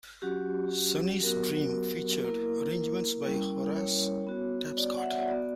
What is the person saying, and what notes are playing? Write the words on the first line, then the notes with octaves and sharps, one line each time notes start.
"Sonny's Dream" featured arrangements by Horace Tapscott.
F#3 C#4 F#4 G4
F#3 B3 F#4 A#4
A#3 E4 A#4
G3 C#4 E4
C#5
B3 F#4
D5
F#5
E5
B3 F#4 D5